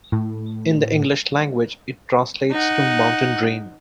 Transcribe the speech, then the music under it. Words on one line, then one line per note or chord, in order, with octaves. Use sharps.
In the English language, it translates to mountain dream.
A2
D#4 F#5